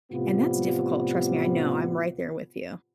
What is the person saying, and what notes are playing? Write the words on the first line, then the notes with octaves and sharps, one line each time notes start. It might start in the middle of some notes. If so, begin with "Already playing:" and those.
And that's difficult, trust me, I know, I'm right there with you.
A2 C3 F3 G3 B3 F4